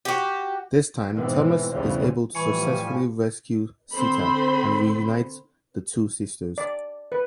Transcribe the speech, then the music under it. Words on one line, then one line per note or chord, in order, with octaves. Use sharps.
This time Thomas is able to successfully rescue Sita and reunite the two sisters.
F#4 G4
G#2 B2 E3 B3 C4
B1 E2 C#3 E3 F3 G3
A2 E3 F3 G3 G#5 B5 C#6 C#7
D3 C4 C5 B5 C6
D5
B4